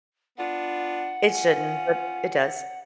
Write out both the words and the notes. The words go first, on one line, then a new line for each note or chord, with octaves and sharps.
It shouldn't, but it does.
B3 D4 F4 F#5
C#4 F4